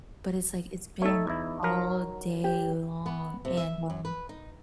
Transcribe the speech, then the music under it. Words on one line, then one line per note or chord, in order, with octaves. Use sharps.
but it's like it's been all day long and, um
A3 D#4 A4 C#5
E2 E4
F#3 A#4
G4
B3
C3
E5
F#2
B4
D#4